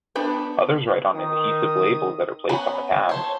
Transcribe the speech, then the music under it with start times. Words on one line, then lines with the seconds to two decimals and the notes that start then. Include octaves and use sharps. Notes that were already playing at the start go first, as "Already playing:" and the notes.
Others write on adhesive labels that are placed on the tabs.
0.15 B3 D4 B5
1.14 D#3 D#6
2.49 B3 C#4 B4 A#5
3.09 A4 C5 C#5